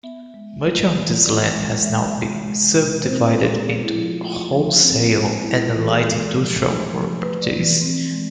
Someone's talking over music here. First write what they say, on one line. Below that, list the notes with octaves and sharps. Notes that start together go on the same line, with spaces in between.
Much of this land has now been subdivided into wholesale and light industrial properties.
B3 E5
G#3
A3
E3
B3 D5
G#3
G#3 E5
C3
G#3
B2
C4 C5
B4
G#3
A4
B3 G#4
E4
F3
F4
A3 F4
F3
C4
G#3
B3 E4
F4
E3
G#4
G#3 A4
F3
A3
F3
A3 B4
D5
E3
D5
C4
G#3